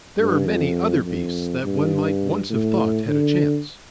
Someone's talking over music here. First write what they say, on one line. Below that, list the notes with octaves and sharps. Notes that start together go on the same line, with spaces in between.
There are many other beasts that one might once have thought had a chance.
G2
F2
F2
G2
A2
D3